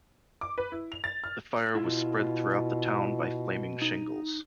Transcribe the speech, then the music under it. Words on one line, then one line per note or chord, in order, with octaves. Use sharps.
The fire was spread throughout the town by flaming shingles.
D6
B4
E4
F7
A6
F6
B2 E4 F4
D#4